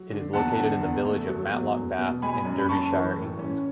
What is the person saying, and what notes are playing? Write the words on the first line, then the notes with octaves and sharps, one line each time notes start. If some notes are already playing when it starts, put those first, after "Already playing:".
It is located in the village of Matlock Bath in Derbyshire, England.
Already playing: F#3
D3
E2 F#5 A5
D3
E2
A3
F#3
E2
E2
B2
G#3 G#5 B5
F#2
B5
F#2 A5 C#6
E3
A2
C#4